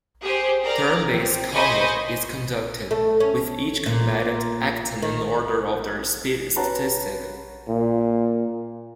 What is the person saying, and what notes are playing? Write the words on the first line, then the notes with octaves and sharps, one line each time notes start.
Turn-based combat is conducted, with each combatant acting in order of their speed statistic.
G4 G#4 C5
A#4 D5 A#5
C4
C5 D#5 G#5 B5 C#6 D6
A3
C#4
A#2
D#3
C#4 F#4 B4 A5 A#5
A#2